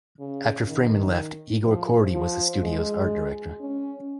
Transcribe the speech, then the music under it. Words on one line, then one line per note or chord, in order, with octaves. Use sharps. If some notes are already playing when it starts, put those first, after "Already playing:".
After Freeman left, Igor Kordey was the studio's art director.
C#3
D#3
F3
F3
G#3
C#4